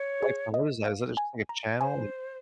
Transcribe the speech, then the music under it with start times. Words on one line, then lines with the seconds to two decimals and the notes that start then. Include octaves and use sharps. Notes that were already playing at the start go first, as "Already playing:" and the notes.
Lifetime, what is that? Is that just, like, a channel? Like
Already playing: C#5
0.22 G#4
0.54 D#5
0.85 F5
1.17 G#5
1.49 A#5
1.80 C5 G#5